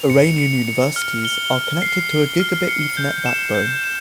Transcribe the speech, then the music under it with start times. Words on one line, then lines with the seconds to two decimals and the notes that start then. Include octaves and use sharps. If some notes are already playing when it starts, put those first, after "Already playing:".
Iranian universities are connected to a gigabit ethernet backbone.
Already playing: F7
0.10 C#7
0.38 C#7
0.68 C#7
0.96 F6
1.25 G7
1.53 F6
1.82 C7
2.11 G7
2.40 F6
2.68 C#7
2.97 G6
3.26 E7
3.55 G6
3.84 E7